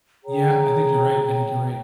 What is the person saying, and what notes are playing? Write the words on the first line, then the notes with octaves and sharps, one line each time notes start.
Yeah, I think you're right, I think you're right.
G#4 C#5 G5 A#5